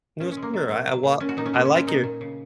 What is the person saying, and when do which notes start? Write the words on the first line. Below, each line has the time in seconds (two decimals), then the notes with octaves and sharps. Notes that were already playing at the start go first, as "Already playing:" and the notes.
No, sure. I I well, I like your
0.20 A#2 C#4
0.32 G#3 C#4
0.43 A#3
0.54 F#3
0.70 A#2
0.87 F#3
1.03 A#2
1.20 A#2 C#4
1.29 F#4
1.37 A#2 D#4
1.46 C#4
1.54 G#3 A#3
1.65 C#4
1.71 G#3
1.76 C#4
1.87 A#2 D#4
2.04 A#2
2.21 C#3